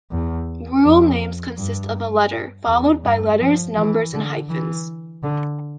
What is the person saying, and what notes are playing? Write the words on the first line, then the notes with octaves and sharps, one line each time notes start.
Rule names consist of a letter followed by letters, numbers, and hyphens.
E2
F2
G2
E2
G2
F3
E3
D3
E3
D3